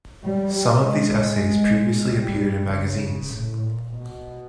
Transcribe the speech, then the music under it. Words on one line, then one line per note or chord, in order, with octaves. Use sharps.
Some of these essays previously appeared in magazines.
G3
G3
G#3
G3
C#3
A2
A#2
B2